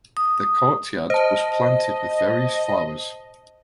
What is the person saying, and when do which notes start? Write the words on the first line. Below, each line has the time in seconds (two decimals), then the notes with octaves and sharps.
The courtyard was planted with various flowers.
0.17 D#6
1.10 C5 D#5 A5